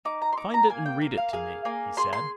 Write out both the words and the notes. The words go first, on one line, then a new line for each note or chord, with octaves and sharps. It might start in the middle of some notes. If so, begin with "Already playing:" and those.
"Find it and read it to me," he said.
D#4 D6
A#5
C6
D#4 D6
A#5
A#3 G#5
G5
A#3
F5
G#4 F5
A#3 G#5
G#4 C6
C6